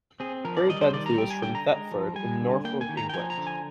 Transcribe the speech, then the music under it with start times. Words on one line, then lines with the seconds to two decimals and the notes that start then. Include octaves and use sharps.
Harry Bensley was from Thetford in Norfolk, England.
0.20 C4 G#4
0.45 F3 A#4
0.57 D5
0.69 G3 D#5
0.81 C5
0.94 D#3 D5
1.06 A#5
1.18 G3 G5
1.30 G#5
1.42 D3 G5
1.55 A#5
1.67 G#3
1.91 F3
2.16 G3 G#5
2.40 D3
2.65 A#3 G5
2.81 G#5
2.89 D#3
2.97 A#5
3.09 G5
3.14 F3 G#5
3.30 A#5
3.38 D3
3.47 G#5